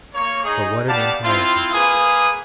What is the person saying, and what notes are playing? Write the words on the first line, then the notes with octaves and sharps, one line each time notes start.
But what an intonation!
A#3 C#5
D#4 G#4
B3 G4 D5 F5 A5
C4 E4 F4
A#3 G#4 B4 F5 G#5 D#6